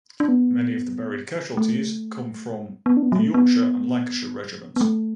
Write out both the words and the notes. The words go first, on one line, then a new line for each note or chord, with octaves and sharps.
Many of the buried casualties come from the Yorkshire and Lancashire Regiments.
D4
B3
A3
B3
D4
B3
F#3
A3
B3
B3
A3